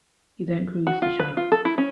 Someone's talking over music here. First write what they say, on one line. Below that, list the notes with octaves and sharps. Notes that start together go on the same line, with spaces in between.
He then cruised the Channel.
F#4
F4
B4
F4
A4
E4
C#4